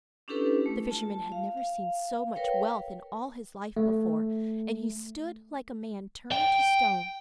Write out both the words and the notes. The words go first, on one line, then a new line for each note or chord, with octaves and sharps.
The fisherman had never seen so much wealth in all his life before, and he stood like a man turned to stone.
C#4 D4 E4 G4 A4 B4
A3
F4 A5
F5
F5
A#4 B4 C#5 F5 G5
A3
G5